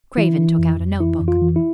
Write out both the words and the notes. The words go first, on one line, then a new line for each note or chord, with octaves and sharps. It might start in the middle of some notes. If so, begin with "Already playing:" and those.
Craven took out a note-book.
E3 E4
E3
F2
F2
E3 E4
F2
F4
E3
E4